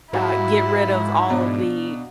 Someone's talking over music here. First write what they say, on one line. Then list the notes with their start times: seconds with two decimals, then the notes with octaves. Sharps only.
uh, get rid of all of the
0.13 G#2 A#3 E4 F#4 C#5
1.30 B2 D4